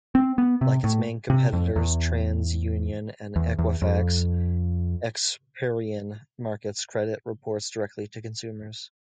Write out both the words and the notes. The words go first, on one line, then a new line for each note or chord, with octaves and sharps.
Like its main competitors, TransUnion and Equifax, Experian markets credit reports directly to consumers.
C4
B3
C3
A2
C3
F2
E2
E2
E2
F2